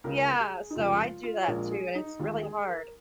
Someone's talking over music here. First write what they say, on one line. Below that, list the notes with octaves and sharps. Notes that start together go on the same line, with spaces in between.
Yeah, so I do that too, and it's really hard.
C#2 C#3 G#3 A#4
G#4
D#4
F1 F2 C#3 F3 G#3 F4
F4
F4
C#5
A#1 A#2 F3 G#3 A#4
G#4
D#4
D#2 D#3 G#3 F4
G#4
A#4